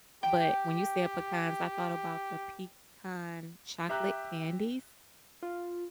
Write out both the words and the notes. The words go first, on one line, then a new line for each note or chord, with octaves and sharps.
but when you said pecans, I thought about the pecan chocolate candies?
G4 G5
G4 E5 A#5 F#6 G6
F4